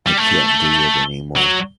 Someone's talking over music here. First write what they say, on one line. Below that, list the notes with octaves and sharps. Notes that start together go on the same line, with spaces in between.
I can't do it anymore.
G3
A3
F#3